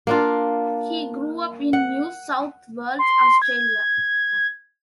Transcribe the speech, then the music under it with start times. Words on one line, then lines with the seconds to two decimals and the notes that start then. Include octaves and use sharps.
He grew up in New South Wales, Australia.
0.07 A#3 D4 F4
1.73 F#5
2.99 C6
3.42 G#6